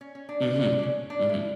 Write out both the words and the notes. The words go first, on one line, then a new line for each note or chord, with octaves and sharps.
Mhm. Mhm.
C#4
C#4
D4
D4
D4
D4
C#4
D4
E4